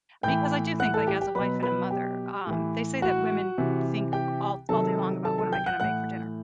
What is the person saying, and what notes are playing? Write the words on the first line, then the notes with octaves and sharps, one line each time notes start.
because I do think, like, as a wife and a mother, um, they say that women think all all day long about what am I gonna make for dinner.
A2 E3 G5 G6
F#5 F#6
A4 A5
G4 G5
G4 G5
B2 F#3 B4 B5
B4 B5
G4 G5
A2 E3
F#4 F#5
C3 E3
G4 G5
C3 D#3 F#3 A4 A5
A4 A5
A4 A5
G5 G6
F#5 F#6
A2 E3 F#5 F#6